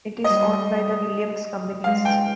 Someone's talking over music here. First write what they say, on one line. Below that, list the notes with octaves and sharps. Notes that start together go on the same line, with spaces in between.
It is owned by the Williams Companies.
G3 D#5
G#3 F5
G5